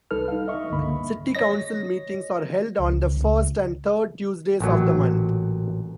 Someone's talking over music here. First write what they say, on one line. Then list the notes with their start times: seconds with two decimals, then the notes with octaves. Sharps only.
City Council meetings are held on the first and third Tuesdays of the month.
0.11 C2 G3 D#4 A4 B4 F6
0.28 D#4 F5
0.48 D#5 E5 C#6
0.70 C#2 G2 D3 A#3 B5
1.35 C#5 D#5 A#6
2.79 C#2
3.17 C#2
4.60 A1 A#2 F#3